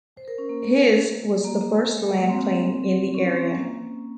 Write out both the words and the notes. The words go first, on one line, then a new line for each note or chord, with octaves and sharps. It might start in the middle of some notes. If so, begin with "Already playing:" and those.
His was the first land claim in the area.
C5
A#4
C#4
A#3
A#3
G#3
A#3
C4
C#4
C4
C#4
A#3